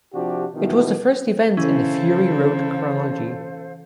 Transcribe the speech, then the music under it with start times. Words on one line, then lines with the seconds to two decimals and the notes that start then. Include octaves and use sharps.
It was the first event in the Fury Road chronology.
0.14 C3 F3 D4 F#4 G4
0.54 B2 D#3 E3
1.57 C#3 E3 C#4 E4 A4 C5 F5